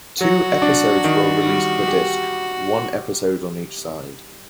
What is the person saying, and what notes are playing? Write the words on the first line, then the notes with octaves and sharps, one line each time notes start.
Two episodes were released per disc, one episode on each side.
F#3 F#4
D4
D#3
G3
G4